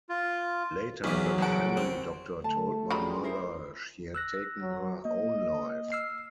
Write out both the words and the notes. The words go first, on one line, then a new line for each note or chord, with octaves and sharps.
Later the family doctor told my mother she had taken her own life.
F4
B1 E2 E3 F#3 G#4
F#1 G3 G#4 F#5 D7
C4
D3 A3 A5
F#3 G3 C#4 F4 G#4 B5
E4 A#4 C5
E6 F#6 A#6
F#3
A#3 D#5
E6 F6 C7